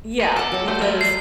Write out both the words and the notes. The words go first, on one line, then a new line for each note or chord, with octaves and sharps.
Yeah, because
A#3 G#4
A4 F#5 D6
F#3 F#4
G3 A3 C5
F3 A#4 E5 B5
C7